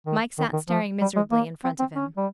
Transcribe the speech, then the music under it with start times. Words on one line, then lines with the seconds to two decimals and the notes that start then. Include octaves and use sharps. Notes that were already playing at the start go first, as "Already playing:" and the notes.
Mike sat staring miserably in front of him.
0.07 D#3
0.39 D#3
0.53 D#3
0.69 F3
1.01 G3
1.16 G#3
1.32 A#3
1.64 C4
1.79 C4
1.96 C#4
2.17 G3